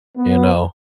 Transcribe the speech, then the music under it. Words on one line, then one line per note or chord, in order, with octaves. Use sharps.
you know
B3